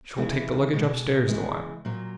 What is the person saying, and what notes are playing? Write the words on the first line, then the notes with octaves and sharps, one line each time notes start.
'She'll take the luggage upstairs the while.
C#3 E3 G#3 E4
B2 G#3
C#3 E3 G#3
A#2 F#3